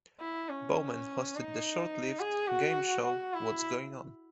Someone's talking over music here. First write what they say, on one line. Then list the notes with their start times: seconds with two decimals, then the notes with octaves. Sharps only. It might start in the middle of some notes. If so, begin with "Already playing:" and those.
Bowman hosted the short-lived game show What's Going On?
0.21 E4
0.49 C#4
1.35 D#4
2.20 G#4
2.48 F#4
3.05 F#4
3.34 E4